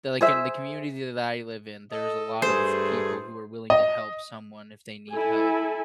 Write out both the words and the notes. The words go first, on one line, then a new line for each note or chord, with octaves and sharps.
like that like in the community that I live in, there's a lot of people who are willing to help someone if they need help,
G#4 C5 E5
A4 D#5
G2 A3 G#4 C5
D#5
E4 A4 G#5